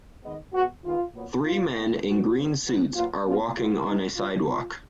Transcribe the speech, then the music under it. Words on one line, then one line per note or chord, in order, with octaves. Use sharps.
Three men in green suits are walking on a sidewalk.
D#3 G#3 B3 D#5
B2 G#3 B3 F#4
D#3 G#3 B3 F4
A#2 F#3 B3
A#2 G#3 B3 F4
A#2 G#3 B3
A#2 G#3 B3 F#4
C#3 F#3 B3
A#2 F#3 B3
A#2 F#3 B3 F4
B2 G#3 B3 F4
B2 G#3 B3 F4
C#3 F3 B3 D#4
C#3 F3 B3 F4
B2 F#3 B3 F4